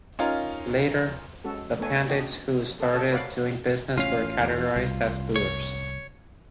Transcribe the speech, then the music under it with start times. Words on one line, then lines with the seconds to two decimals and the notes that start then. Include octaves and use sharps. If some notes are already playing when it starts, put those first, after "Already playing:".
Later, the Pandits who started doing business were categorised as Buhirs.
0.19 C#4 D#4 F4 A#4
1.45 G#3 C#4 F#4 A4
1.79 A3 B3 D#4 A4 C#5 G#5
2.09 C#4 D4 F#4 D#5 G5
2.80 A4 C5 F5 G5
2.93 A4 C#5 D#5 A5
3.11 B4 C#5 D5 F5 F#5
3.98 A1 C#4 F4 F5
4.40 E2
4.76 C2
5.36 C#5